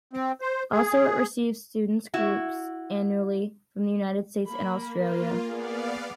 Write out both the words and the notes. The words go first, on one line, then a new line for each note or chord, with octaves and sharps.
Also, it receives students groups annually from the United States and Australia.
C4
C5
G#4
E4 F#4
A#3 B5
F4 A#4 B4
B3 G#4 D5 F5